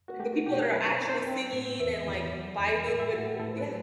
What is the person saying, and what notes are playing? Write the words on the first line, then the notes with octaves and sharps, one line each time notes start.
Like the people that are actually singing and, like, vibing with Yeah.
F#4
A3 G4
F#4
B2 G4
A4
F#3 B4
C5
C4
C5
C4
A2
E2 E5
E2
F#3 D5
E2
A2 E5
E5
A2 F#4
G4
B4
A2 A4
C5
B4
F#3